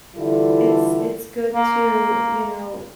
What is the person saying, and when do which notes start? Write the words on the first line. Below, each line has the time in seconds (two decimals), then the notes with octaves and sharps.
it's it's good to, you know,
0.16 D3 E3 G3 E4 F4 A4
1.53 A#3